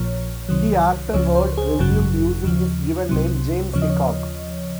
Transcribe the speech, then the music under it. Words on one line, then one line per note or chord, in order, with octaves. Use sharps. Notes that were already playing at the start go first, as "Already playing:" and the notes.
He afterward resumed using his given name, James Hickok.
Already playing: A#1 A#2 F3 C#5
C2 C3 D#3 F#3
C#2 C#3 F3 C#5
C5
G#4
G#1 F#2 C#3 F#3
D#2 C#3 F3
C2 C3 F#3
D#2 C#3 F3 C#5
D#5
C#5